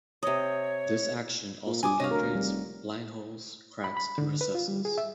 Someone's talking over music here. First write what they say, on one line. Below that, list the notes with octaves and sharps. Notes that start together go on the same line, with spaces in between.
This action also penetrates blind holes, cracks, and recesses.
C3 C#5 D#5
A#2
G2 G#5 D6 D#6
G2 C#5 D#5 F5
D2 A#4
F1 G3
B5
B5
D3
B4
F4
G3
G#4
E5